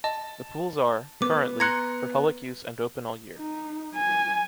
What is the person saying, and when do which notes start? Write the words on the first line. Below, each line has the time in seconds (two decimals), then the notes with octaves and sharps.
The pools are, currently, for public use and open all year.
0.04 D#5 A5
1.22 B3 D6
1.60 A#5 C6 F#6 G#6 A#6 C#7
3.37 D#4
3.95 G#5